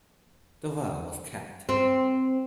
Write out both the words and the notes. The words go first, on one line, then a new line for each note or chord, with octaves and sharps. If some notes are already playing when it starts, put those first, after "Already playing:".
The well was capped.
C4